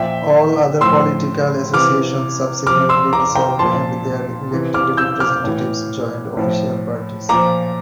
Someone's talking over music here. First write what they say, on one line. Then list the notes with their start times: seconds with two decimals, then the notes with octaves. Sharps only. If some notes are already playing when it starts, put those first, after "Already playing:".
All other political associations subsequently dissolved and their elected representatives joined official parties.
Already playing: A#2 F3 E5 G5
0.81 A2 F3 C6 E6
1.74 C3 E3 D6 F6
2.66 C3 F3 D6 F6
2.89 C6 E6
3.13 A#5 D6
3.35 G5 A#5
3.59 A#2 F3 A5 C6
4.51 C3 E3
4.74 D6 F6
4.97 E6 G6
5.20 D6 F6
5.44 A2 E3
6.37 A2 F3
7.29 A#2 F3 A#5 D6